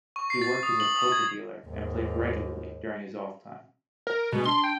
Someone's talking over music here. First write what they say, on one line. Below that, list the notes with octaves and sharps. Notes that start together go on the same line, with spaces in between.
He worked as a poker dealer and played regularly during his off time.
C#6
C7
A6
D#6
F#7
D#6
G#6
D#2 G#2
A#4
B2 G#3
D4 C6
G5